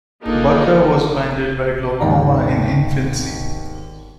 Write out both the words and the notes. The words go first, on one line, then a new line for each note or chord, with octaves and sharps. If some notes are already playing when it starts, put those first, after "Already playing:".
Butler was blinded by glaucoma in infancy.
A#3 D4 D#4 F4 G#4 A4
D#2 G#2 D5 A#5